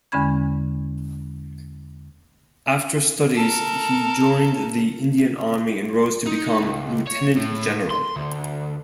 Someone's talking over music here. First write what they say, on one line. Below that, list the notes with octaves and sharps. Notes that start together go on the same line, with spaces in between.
After studies he joined the Indian Army and rose to become Lieutenant General.
E2 D3 G#3 C#4 B5 G#6
A4 A#4
D#4
C#2
C#5
A2
C6
D2